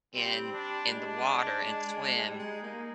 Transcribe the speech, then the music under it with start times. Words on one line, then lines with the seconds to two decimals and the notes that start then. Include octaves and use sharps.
in in the water and swim.
0.14 G3 C4
0.53 D4
0.89 G#3 D4
2.26 G3
2.39 G#3 D#4
2.63 A#3